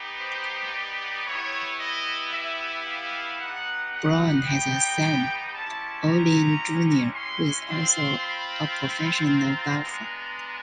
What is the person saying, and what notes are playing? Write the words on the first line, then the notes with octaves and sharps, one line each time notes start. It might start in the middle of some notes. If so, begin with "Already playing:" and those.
Browne has a son, Olin Junior who is also a professional golfer.
Already playing: B3 D#4 G4
C5
D5
B3 E4 G4 C#5
D#5
E5
F5
B3 D#4 G4 F#5
F#5
G5
G#3 C#4 E4 G4 A5
A#5
C6
C4 F4 C6
B5
A#5
G#3 B3 D4